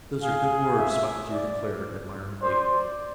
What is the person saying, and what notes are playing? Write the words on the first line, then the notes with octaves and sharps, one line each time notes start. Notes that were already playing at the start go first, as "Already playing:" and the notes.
"Those are good words," Spotted Deer declared, admiringly.
G#4 F5
E5
D5
C5 D5